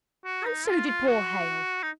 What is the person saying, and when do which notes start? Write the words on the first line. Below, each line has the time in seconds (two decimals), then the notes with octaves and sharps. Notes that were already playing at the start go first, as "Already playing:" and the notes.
'And so did poor Hale.
0.25 F#4
0.45 D#4
0.66 F4
0.87 F4
1.08 F#4
1.83 D#4